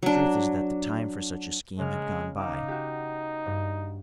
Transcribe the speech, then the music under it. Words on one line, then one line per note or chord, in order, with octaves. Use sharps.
The truth is that the time for such a scheme had gone by.
F#3 D4
C#3 G#3 A#3 F6
D#4 F5 D6
F#4 G4
G2